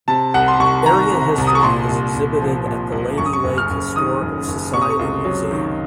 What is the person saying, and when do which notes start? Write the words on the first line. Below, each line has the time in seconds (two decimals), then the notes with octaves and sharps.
Area history is exhibited at the Lady Lake Historical Society Museum.
0.08 C3 A5
0.34 C2 F#5
0.48 C6
0.60 C2 C#6
0.86 D#3 A#5
1.12 C3
1.38 C2
1.47 D#6
1.55 C#6
1.63 A#2 C6
1.89 C2
2.15 C2
2.41 F3
2.67 A#2
2.92 C2
3.18 F#2 C#6
3.25 D#6
3.33 C#6
3.44 F#1
3.58 F6
3.70 F#1
3.96 D#3 D#6
4.22 F#2
4.48 F#1
4.74 C3 C#6
4.81 D#6
4.90 C#6
4.99 C#2
5.25 F#3
5.51 D#3